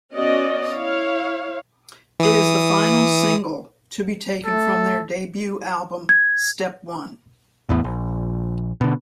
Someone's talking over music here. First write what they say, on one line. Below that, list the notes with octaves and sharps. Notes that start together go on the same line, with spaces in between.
It is the final single to be taken from their debut album, "Step One".
B3 C#4 F#4 D5 D#5
E4 C#5 F5
E3 D#6
A3 A4
G#6
A1 E2 A2 B3
A#1
B2 D3